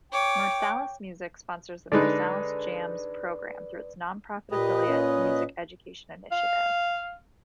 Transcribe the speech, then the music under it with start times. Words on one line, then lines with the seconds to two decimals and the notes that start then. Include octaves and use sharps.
Marsalis Music sponsors the Marsalis Jams program through its non-profit affiliate, Music Education Initiative.
0.12 C#5 G5 D6
1.92 D3 G#3 D#4 B4 D5
4.52 A#2 G4 B4 D#5
4.88 C#4
6.32 F5